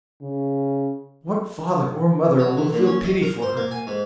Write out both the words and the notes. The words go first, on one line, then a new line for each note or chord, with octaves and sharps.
What father or mother will feel pity for her?
C#3
F#3
E3
A#2
C#4
D#5
A#4
C5
A#3
G#5
G#2